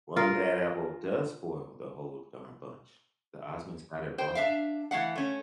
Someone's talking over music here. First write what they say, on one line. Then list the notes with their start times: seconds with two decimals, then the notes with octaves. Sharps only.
One bad apple does spoil the whole darn bunch. The Osmonds got it wrong.
0.16 F4 A#4
4.18 C5 G5
4.35 D4 E5 F5
4.91 E3 A3 F5 F#5
5.16 A3 C#4